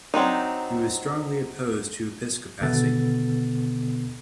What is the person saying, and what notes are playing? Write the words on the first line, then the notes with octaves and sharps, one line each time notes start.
He was strongly opposed to Episcopacy.
F#3 C4 D4 D#4
G#1 B2 D3 B3 A4 A6